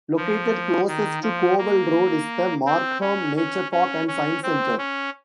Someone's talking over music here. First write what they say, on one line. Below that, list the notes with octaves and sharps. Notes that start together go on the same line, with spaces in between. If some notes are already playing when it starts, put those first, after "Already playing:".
Located closest to Cowell Road is the Markham Nature Park and Science Center.
F3
D#3
F3
A#3
C4
C#4
C#4
C#4
C#4
C4
C#4